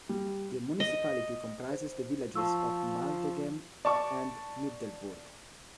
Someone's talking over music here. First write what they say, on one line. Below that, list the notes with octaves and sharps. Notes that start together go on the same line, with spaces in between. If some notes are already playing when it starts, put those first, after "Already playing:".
The municipality comprises the villages of Maldegem, and Middelburg.
G3
D#5
C5
F3 A5 C#6 E6
D5 A5 C#6 D6